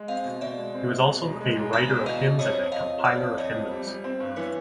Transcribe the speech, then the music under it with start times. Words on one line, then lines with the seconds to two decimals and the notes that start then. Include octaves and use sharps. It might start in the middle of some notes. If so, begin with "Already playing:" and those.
He was also a writer of hymns and a compiler of hymnals.
Already playing: G#3
0.08 C4 D#5 F5
0.24 B2
0.41 B2 D5 E5
0.58 G#3
0.74 C4
0.91 G#3
1.08 B2
1.23 E1
1.41 G#3
1.57 E1
1.72 E1 D5 E5
1.89 E2
2.06 B2 D#5 F5
2.23 B2
2.39 F2 C#5 D#5
2.55 F2
2.72 F2 D#5 F5
2.88 F2
3.04 F2 D5 E5
3.21 F2
3.37 F2 C#5 D#5
3.54 F2
3.71 G3
3.87 G3
4.04 C4
4.20 G2
4.36 E3 B4 C#5